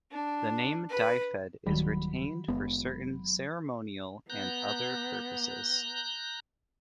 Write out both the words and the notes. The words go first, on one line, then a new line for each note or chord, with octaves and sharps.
The name "Dyfed" is retained for certain ceremonial and other purposes.
D4
B4
D1 D#3 F#3 G3 B5
F#1 G#3 B3
B3 A#5 F#6 G6